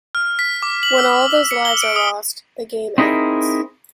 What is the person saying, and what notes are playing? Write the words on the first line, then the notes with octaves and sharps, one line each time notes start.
When all of those lives are lost, the game ends.
F6
B6
D6
F#7
E6
C#7
G7
D7
D#6
C4 D#4 E4 G#4 A#4